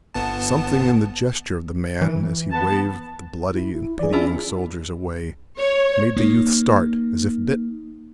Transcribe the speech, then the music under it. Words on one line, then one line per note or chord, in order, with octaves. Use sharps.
Something in the gesture of the man as he waved the bloody and pitying soldiers away made the youth start as if bitten.
G1 B3 A5
E3
B3 A5
E4
E4
E3 G#4 D5
C#4 D4 E4 F4
C#5
A#3 D#4